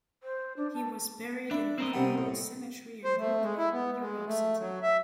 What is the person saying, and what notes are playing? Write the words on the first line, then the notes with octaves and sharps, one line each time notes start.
He was buried in Green-Wood Cemetery in Brooklyn, New York City.
C5
D4
A5
D4 E5 B5
C4 A#4 D#5
C3 G3 B3
A2
C5
A3
G#3
E4
B3
G#3
A3
F#3
E5